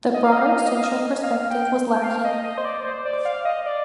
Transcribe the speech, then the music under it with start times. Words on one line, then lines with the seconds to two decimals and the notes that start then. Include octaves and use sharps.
The broader social perspective was lacking.
0.14 D#5
0.24 F5
0.32 D#5
0.41 F5
0.49 D#5
0.59 F5
0.67 D#5
0.75 F5
0.84 D#5
1.23 F5
1.50 G5
1.93 G5
2.04 F5
2.24 D#5
2.44 D#5
2.57 C5
2.65 D5
2.84 C5
3.05 D5
3.25 F5
3.45 D#5
3.66 D5